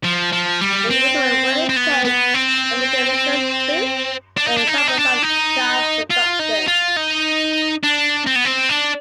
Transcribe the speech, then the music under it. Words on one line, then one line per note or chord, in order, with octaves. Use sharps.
Individual wedding cakes and made-to-measure suits are examples of job production.
F3
F3
G3
C4
C4
B3
B3
C4
D4
D#4
D4
D#4
D4
D#4
D4
D#4
F4
D#4
F4
D#4
D4
C4
B3
C4
D4